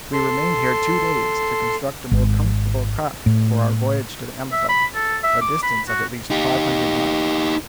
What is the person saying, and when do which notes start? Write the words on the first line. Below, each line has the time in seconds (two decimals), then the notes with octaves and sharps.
We remained here two days to construct a more comfortable craft for our voyage to the Amazon, a distance of at least five hundred miles.
0.13 A4 C6
2.11 G#1
3.26 A2
4.52 E5
4.69 B5
4.95 A4
5.23 E5
5.41 D6
5.63 B5
5.88 F#4
6.30 D#4 G4